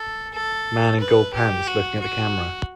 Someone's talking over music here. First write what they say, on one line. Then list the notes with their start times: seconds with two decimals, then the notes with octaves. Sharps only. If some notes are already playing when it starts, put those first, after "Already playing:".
Man in gold pants looking at the camera.
Already playing: A4
0.33 A4
1.00 B4
1.33 G4
1.67 F#4
1.99 F#4